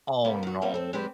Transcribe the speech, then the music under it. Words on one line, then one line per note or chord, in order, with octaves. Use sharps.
Oh, no.
C3 G3 A#3 B3
D#3 F#4
G3 A#3 C4 C#4 D#4 F4
C4 A4
G#3 C4 D4 G4 B4 C5